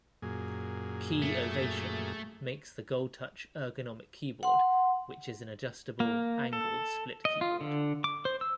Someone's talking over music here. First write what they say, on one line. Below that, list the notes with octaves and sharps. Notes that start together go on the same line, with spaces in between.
Key Ovation makes the Goldtouch ergonomic keyboard which is an adjustable angled split keyboard.
F#2 A#2 G#4
A3
F#5 C6
A#3
A4
D#5
F4
D3
D6
C5
E6